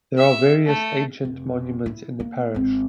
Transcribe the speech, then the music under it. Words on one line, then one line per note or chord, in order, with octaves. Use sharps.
There are various ancient monuments in the parish.
E5
A3
F1
E4
A#3
G#1 C4